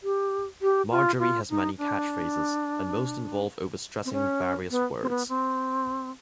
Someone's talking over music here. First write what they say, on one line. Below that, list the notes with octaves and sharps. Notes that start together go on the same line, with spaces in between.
Marjorie has many catchphrases, and most involve over stressing various words.
G4
G4
F4
F4
D#4
D4
C4
C#4
B3
C4
B3
C4